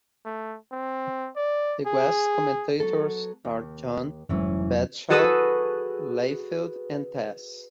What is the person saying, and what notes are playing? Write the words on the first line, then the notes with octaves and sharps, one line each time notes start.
The guest commentators are John "Bradshaw" Layfield and Tazz.
A3
C4
D5
G#4
F#3 B3 A4
D#2
F1 G#2 E3 F#3 C#4
F#4 G#4 A4 B4 D#6 E6